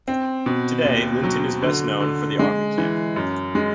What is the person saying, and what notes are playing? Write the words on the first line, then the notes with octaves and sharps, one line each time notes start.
Today Linton is best known for the army camp.
C4
B2
D#2
F#3
D3
D3
G#3
E3
F#2
G#3